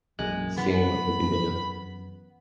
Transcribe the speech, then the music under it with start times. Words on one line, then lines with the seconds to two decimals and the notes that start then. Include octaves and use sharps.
seeing what we can do.
0.19 A#1 F#2 E3 G#3 A#3 F#6
0.58 E3 B3 B5